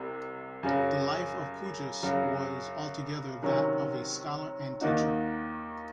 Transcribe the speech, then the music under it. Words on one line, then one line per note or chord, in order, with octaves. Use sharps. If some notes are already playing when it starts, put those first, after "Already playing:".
The life of Cujas was altogether that of a scholar and teacher.
Already playing: C2 C3
F#2 C#3 F#3
F#2 C#3 F#3
C3 D#3 F#3 C#4
D#2 D#3 A#3 D#4 F#4